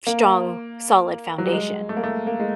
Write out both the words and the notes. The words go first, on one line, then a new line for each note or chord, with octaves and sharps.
strong, solid foundation.
A#3
F#3
G3
G#3
A3
A#3
A3
A#3
G#3